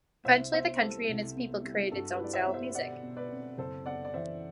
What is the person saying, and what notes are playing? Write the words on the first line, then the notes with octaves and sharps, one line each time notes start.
Eventually the country and its people created its own style of music.
C2 C5 E5
B3 C5 E5
G3 A4 C5
C2
B3
G3
G2 F#4 A4
G4 B4
E4 D5
C5 E5
B3
C5 E5
B2 D5 F#5
B2
B4 D5
C4
F#1 A4 C5
B3 D5 F#5
D5
E3 C5 E5